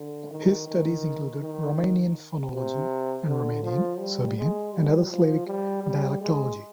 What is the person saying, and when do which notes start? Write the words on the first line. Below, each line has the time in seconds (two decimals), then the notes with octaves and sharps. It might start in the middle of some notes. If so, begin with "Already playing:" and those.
His studies included Romanian phonology, and Romanian, Serbian, and other Slavic dialectology.
Already playing: D3
0.31 D#3
0.67 D#3
1.42 D#3
2.52 C3
3.26 D3
3.63 F3
3.99 G3
4.37 G#3
4.73 G3
5.10 F3
5.46 G3
5.83 G3
6.21 G#3